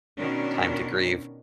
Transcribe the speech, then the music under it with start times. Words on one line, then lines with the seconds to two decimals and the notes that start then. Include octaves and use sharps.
time to grieve.
0.19 B2 D#3 C#4 D4 A#4